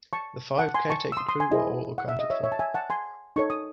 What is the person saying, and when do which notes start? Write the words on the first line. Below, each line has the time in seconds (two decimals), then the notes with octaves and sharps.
The five caretaker crew were all accounted for.
0.13 A5 C#6
0.59 F#5 A5
0.74 G#5 C6
0.89 A5 C#6
1.12 E6
1.17 C6 D#6
1.29 C6 D#6
1.40 G#5 C6
1.51 E4 G#4 C5 D#5
1.98 F#5
2.08 E5
2.19 D#5
2.30 C#5 E5
2.44 C#5 E5
2.52 A5
2.59 E5 G#5
2.74 F#5 A5
2.90 G#5 C6
3.36 D#4 A4 C#5 C#6
3.50 D#6